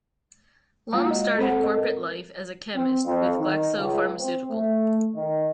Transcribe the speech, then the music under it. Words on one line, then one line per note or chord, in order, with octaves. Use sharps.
Lum started corporate life as a chemist with Glaxo Pharmaceutical.
G#3 A#3 F4 F5 A#5
F#4 D#5
C4 A4 C5 F#5 B5
A4 D#5
A#4
C4
F2
D#3
C#2
C4
A3
D#3